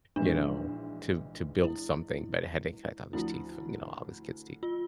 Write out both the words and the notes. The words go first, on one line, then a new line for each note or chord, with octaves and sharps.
you know, to to build something, but it had to collect all these teeth from, you know, all these kids teeth.
A#1 G#2 E3 G#3 D4
E4
D2 D3 F3 E4
F4